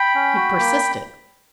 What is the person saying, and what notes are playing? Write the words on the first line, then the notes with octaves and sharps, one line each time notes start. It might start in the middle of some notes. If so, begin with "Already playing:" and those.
He persisted.
Already playing: G5 B5
C#4
F#4
A#3